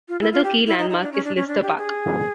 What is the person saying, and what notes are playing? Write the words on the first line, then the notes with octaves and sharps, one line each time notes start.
Another key landmark is Lister Park.
F4
E4
F4
G4
E4
D#4
D#4
D4
C#4
D4
C#4
D4
G4
G#4